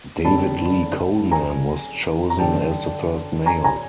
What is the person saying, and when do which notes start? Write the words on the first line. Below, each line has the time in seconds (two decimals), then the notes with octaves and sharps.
David Lee Coleman was chosen as the first mayor.
0.25 F#1 F2 D3 G3 C4 A5 B5
1.31 G#5 A#5
2.30 A#5
2.39 F#2 D3 G3 G5 A5
3.46 G#5 A#5
3.64 G#5 A#5